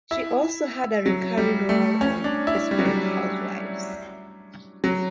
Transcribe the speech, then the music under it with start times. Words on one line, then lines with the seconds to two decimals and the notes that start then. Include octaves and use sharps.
She also had a recurring role on "Desperate Housewives".
0.11 E4
1.06 F#3
1.37 G3
1.69 A3
2.01 C#4
2.24 D4
2.47 E4
2.71 G3
2.79 F#3
2.85 G3
4.84 F#3